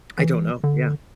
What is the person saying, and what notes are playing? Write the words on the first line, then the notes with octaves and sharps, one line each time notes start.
I don't know, yeah.
E3
D3